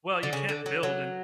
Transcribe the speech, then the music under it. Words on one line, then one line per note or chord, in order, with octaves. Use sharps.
Well, you can't build in
D3
C#3
D3
F#3
F#3